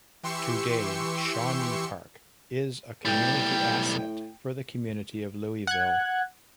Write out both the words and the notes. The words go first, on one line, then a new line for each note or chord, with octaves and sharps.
Today, Shawnee Park is a community asset for the community of Louisville.
E3 G4 C6 C#6 E6 C#7
B1 A2 G3 G5
F#5 F#6 G#6